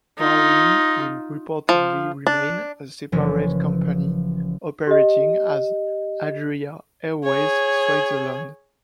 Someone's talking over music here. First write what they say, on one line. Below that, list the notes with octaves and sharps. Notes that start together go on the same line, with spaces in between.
Darwin will reportedly remain a separate company operating as "Adria Airways Switzerland".
D#4 F4
F3
D4
F#1 E3 F3 C#4 A#6
G4 D#5
G#4 C#5